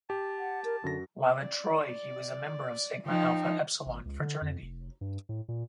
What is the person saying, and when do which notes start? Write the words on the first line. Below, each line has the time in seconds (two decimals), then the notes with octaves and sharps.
While at Troy, he was a member of Sigma Alpha Epsilon fraternity.
0.10 G4 A5
0.39 F#5
0.64 A#4
0.84 F#2 D3 F#4 A#6
1.33 D5
3.06 F3 D#4 G5
3.86 G#1
4.05 C#2
4.20 D3
4.41 F2
4.62 F1
5.01 G2
5.29 A2
5.48 A#2